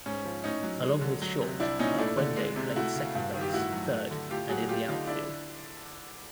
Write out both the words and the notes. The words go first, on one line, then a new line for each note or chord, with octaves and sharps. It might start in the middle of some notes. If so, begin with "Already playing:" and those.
Along with short, Oquendo played second base, third and in the outfield.
G#2 C#4
F3
A2 C#4 D#4
F#3
G#3
D3
F#3
C3
C2 D4 E4
A#2 C#4 D#4
A3 D4 E4
D3
G#3
C3
A3 E4 F#4
C#3
G2
D#3
G4
A2 E4 F#4
F#3
A3
D3
A2 F4 G4
F#3 F#4 G#4
A3 F4 G4
D3 D#4 F4
D4 E4